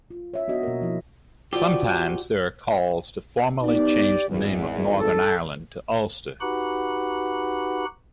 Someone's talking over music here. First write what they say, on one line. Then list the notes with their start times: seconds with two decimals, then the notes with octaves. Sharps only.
Sometimes there are calls to formally change the name of Northern Ireland to Ulster.
0.11 F4
0.34 C#5 E5
0.48 B3 D4 F#4 D#5
0.63 B2 A#3 A#4
0.82 F3 E4
1.53 F3 E4 F#4 G4 D5
3.62 B3 D#4 G4 D5
4.28 G#1 E2
4.96 A4
6.41 D#4 F#4 G4 B4 F#5 B5